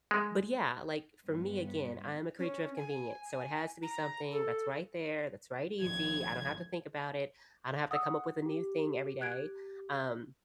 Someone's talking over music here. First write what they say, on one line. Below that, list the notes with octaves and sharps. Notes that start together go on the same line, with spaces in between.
but yeah, like, for me, again, I am a creature of convenience, so it has to be something that's right there, that's right easy, I don't have to think about it, I don't have to come up with a new thing every day, um,
G#3
G2 B3
C#4
G#5
G#5
A#5
A4
G#1 F3 G#6
F#5 D#6 E6
G4
F#6 G#6 D7